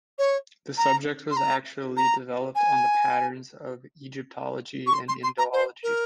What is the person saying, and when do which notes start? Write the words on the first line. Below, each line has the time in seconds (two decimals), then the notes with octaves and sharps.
The subject was actually developed on the patterns of Egyptology and Indology.
0.18 C#5
0.78 A#5
1.31 C6
1.37 A#5
1.97 A#5
2.55 G#5
4.87 C#6
4.93 C6
5.08 C6
5.23 C6
5.38 A#5
5.53 C5
5.83 A#4